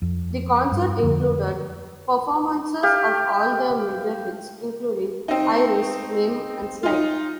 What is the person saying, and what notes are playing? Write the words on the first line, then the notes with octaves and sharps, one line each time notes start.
The concert included performances of all their major hits, including "Iris", "Name", and "Slide".
F2
G2
F2 D3
G4 F5
C4 D#4
D#4 F4